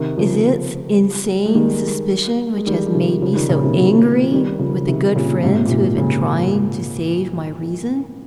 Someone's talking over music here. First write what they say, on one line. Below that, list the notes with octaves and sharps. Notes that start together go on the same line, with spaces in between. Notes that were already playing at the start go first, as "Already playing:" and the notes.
Is it insane suspicion which has made me so angry with the good friends who have been trying to save my reason?
Already playing: C3 D#3
C#3 F3
G#3
D#3 G3
G#3
D#3 G3
C3 D#3
C#3 F3
D#3 G3
A#2 C#3
C3 D#3
C3 D#3
F3
D#3 G3
C#3 F3
C3 D#3
A#2 C#3
G#2 C3
A#2
G#2 C3
A#2 C#3